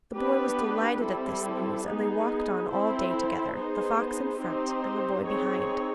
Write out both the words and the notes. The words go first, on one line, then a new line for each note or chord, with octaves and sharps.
The boy was delighted at this news, and they walked on all day together, the fox in front, and the boy behind.
B3 D4 G4 B4
G3 C4 E4 A4
B3 D#4 G#4
C4 E4 A4 C5
B3 D#4 G#4 C5
C4 D#4 G4 C5
C4 D#4 G#4 C#5